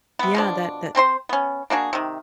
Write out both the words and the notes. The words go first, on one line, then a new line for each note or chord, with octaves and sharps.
Yeah, that that p
C3 B3
B2 F3 D4
A3 C4 C5 C6
B3 C#4
A#3 D4 F#4 G#4
C3 D#3